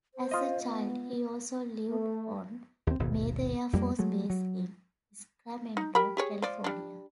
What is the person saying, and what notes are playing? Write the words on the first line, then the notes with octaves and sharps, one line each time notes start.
As a child he also lived on Mather Air Force Base in Sacramento, California.
C5
F4 D#5
B3
A3
D#2 C4
D#1 G#1 D#2 B2
F2 G3 A#3
F#3 G#3 A3
F#3
D#4
G4 A#4 B5
G4 G#4 C#5
F3 D5
G3 D4